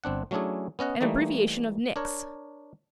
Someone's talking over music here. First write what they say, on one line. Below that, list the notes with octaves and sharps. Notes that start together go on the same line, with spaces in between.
An abbreviation of Nix.
G1 C4 D4 F#5
F#3 A3 C#4 D4 E4 G#4
B3 C#4 D#5 F#5
E3 G3 A3 A#3 D#4
D4 A#4 C#5